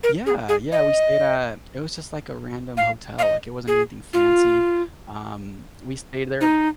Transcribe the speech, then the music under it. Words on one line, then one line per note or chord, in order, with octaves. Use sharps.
Yeah, yeah, we stayed at it was just like a random hotel, like, it wasn't anything fancy, um, we stayed there
A#4
G#4
G#4
D#5
F5
F5
D#5
G#4
F4
D#4